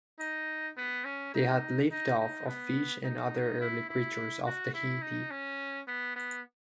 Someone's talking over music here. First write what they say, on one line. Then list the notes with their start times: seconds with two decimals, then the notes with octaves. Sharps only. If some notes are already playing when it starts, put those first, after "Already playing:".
They had lived off of fish and other early creatures of Tahiti.
0.19 D#4
0.77 B3
1.05 C#4
1.34 D#4
1.91 D#4
2.19 D#4
2.47 B3
3.04 D#4
3.60 E4
3.89 E4
4.46 F#4
4.74 E4
5.02 D#4
5.31 C#4
5.87 B3
6.16 B3